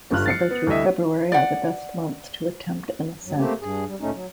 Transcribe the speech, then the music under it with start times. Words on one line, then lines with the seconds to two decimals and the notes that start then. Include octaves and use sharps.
December through February are the best months to attempt an ascent.
0.11 G1 G2 D3 F4 F6 F#6
0.26 A6 C7 C#7
0.50 B3
0.67 D2 G3 E4 D#5 E5
1.32 D5 F#5
3.24 G2 F#3
3.37 A3 A#3 C4 G4
3.61 G2 G#4
3.86 G3
4.00 D2 A#2 A3 C#4 D#4
4.13 F#3